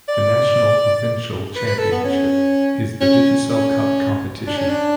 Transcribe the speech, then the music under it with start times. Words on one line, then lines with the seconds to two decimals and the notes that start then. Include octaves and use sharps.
The national provincial championship is the Digicel Cup competition.
0.08 D5
1.55 B4
1.67 B4
1.79 A4
1.92 B3
2.04 C#4
3.01 C#4
3.50 C#4
4.47 D4
4.57 C#4
4.69 D4